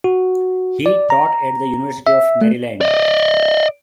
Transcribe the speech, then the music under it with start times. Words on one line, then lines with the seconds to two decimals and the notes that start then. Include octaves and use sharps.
He taught at the University of Maryland.
0.04 F#4
0.86 D5
1.10 A#5
2.07 E5
2.41 A3
2.81 D5 D#5